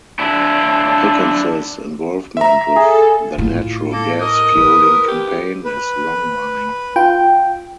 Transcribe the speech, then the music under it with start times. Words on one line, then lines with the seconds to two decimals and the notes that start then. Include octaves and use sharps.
Pickens's involvement with the natural gas fueling campaign is long-running.
0.19 D4 E4
2.37 E5 A#5
2.76 G#4 A4
3.38 A2 F4
3.91 A#3 A4
4.21 A#4 D#5 D#6
4.57 E4 B4
5.08 G4
5.65 B4
6.96 F4 G5